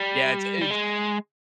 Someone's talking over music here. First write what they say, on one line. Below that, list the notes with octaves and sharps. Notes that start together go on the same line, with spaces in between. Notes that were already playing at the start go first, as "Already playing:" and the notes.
Yeah, it's it's
Already playing: G3
G3
G#3